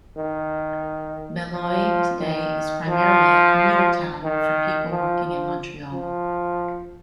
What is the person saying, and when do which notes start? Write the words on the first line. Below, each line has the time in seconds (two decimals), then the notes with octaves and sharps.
Beloeil today is primarily a commuter town for people working in Montreal.
0.17 D#3
1.52 F3
2.19 D#3
2.88 F3
4.23 D#3
4.90 F3
5.25 F3
5.92 F3